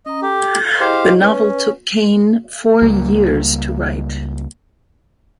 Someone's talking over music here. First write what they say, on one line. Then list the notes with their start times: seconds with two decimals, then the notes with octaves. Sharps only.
The novel took Cain four years to write.
0.06 C#4 D#5 A#5
0.22 G4 A4
0.80 E4 G4 G#4 C5 D#5 F5
1.22 C#4 B4
2.82 C#2 G3 A#3